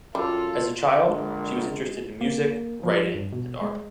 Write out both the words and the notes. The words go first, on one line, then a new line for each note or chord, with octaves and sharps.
As a child, she was interested in music, writing and art.
F#2 G3 F4 A4
A#1 D3 G#3
A#3
F3
G2
B2
G#3